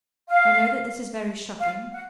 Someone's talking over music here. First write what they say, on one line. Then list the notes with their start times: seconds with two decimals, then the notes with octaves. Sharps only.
I know that this is very shocking.
0.28 F5
1.59 F5
1.92 F#5